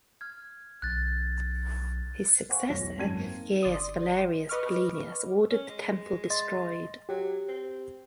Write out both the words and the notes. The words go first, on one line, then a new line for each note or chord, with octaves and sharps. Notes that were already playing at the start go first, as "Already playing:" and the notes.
His successor Gaius Valerius Paulinus ordered the temple destroyed.
F6 G#6
B1 F#6 G#6 A6
C5 F5 F#5 G#5 C#6
B1 E2 C#5 A#6
G#1 F#2 A5 G#6 D#7
A#3 C4 D#4 A#4
G1 D5 C6 D#6
B4 D#5 C#6 D6 F6
C#4
G#3
D#5 C6 A6
F#3 G4
C4